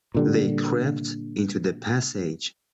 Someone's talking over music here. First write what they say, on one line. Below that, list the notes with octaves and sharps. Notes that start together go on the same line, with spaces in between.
They crept into the passage.
A#2 D3 G3